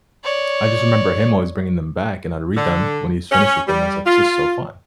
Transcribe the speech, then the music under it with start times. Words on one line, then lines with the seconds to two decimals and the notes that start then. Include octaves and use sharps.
I just remember him always bringing them back, and I'd read them when he's finished with them. I was like, "This is so fun."
0.24 C#5 D5
2.57 D3
3.32 C#4
3.67 G3
4.06 F4